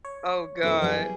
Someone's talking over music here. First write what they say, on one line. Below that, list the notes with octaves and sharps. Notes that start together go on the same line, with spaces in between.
Oh, god.
C#5
F#2 B2 A3 E4 C5
F#3 G3 B3 G#4